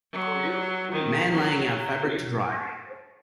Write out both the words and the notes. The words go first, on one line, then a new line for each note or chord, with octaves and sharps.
Man laying out fabric to dry.
F#3
D#3
F#3